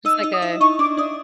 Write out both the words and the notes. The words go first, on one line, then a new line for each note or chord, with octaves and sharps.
Just like a
D#4 D#5 E6
D#4 D#5
D#6
E4 E5
D#4 D#5 C#6
D4 D5 D6
D4 D5 D#6